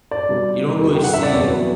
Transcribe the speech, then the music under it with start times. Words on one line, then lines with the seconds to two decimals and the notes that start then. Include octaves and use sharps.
you don't really see
0.11 D5
0.29 B2 G3
0.81 E2 B2 G3
0.95 G5
1.04 F#5
1.14 E5
1.23 D5
1.33 E2 B2 F#3 C#5
1.50 B4